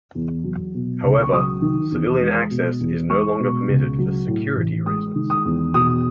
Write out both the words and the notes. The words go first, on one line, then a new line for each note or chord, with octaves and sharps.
However, civilian access is no longer permitted for security reasons.
E2
F#3
B2
C#2
C#6
F#3 D#6
D#3
E2
G#3
B2
E2
G#3 C#6
B2
C#2
F#3
A2
A1
G#3 D#6
D#3
D#6
E2
B2 D#6